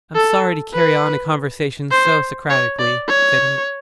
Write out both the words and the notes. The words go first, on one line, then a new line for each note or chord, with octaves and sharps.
"I'm sorry to carry on a conversation so Socratically," said he.
A4
B4
C5
C#5
D5
C#5